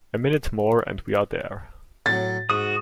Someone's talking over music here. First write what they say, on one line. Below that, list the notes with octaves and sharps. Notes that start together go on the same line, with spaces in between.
A minute more and we are there.
A2 F#3 A6
G#2 F#4 D#6